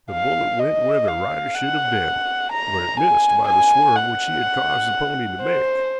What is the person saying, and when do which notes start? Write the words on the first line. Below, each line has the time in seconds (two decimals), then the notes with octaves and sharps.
The bullet went where the rider should have been, but it missed by the swerve which he had caused the pony to make.
0.11 F5
0.60 D#5
1.08 F5
1.56 F#5
2.53 A#5
3.00 G#5
3.49 G#5
3.96 F#5
5.42 C5